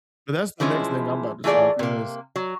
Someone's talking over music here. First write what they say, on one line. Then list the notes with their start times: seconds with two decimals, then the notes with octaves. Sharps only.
but that's the next thing I'm about to try 'cause
0.60 E3 F3 G#3 C#4 E4
1.44 E3 A3 F4 G#4 D5
1.79 C3 A#3
2.36 F#3